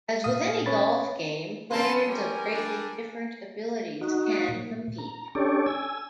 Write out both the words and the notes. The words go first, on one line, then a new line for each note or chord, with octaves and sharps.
As with any golf game, players of greatly different abilities can compete.
A#2 F5 D#6
C#4 B4 C#5 B5 A6
F3 C4 C#4 A#4 B4 A5 B5 C6
G3 C#4 A#4 G#5
G3 D4
D#4 F#4
A#2
A#5
C#4 D4 G4 A4 C#5 D5
G#5 E6